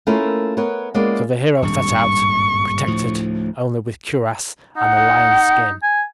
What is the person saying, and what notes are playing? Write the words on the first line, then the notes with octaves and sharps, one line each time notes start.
So the hero set out, protected only with cuirass and the lion skin.
A3 A#3 C#4 E4 F4 A#4
B3 A#4 B4 C#5
G#3 A#3 B3 C#4 F4 D5
D#1 G#1 G2 C#6
D2 A2 F3
D#4 F#5
D#4
G#5